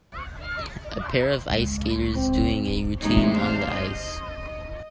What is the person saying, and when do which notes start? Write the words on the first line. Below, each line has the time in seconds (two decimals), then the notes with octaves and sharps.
A pair of ice skaters doing a routine on the ice.
1.49 C#2 G#3
2.16 C4
3.01 E2 C3 G#3 A3 D#4 C#5
3.35 D4 C5 F5
3.74 D#5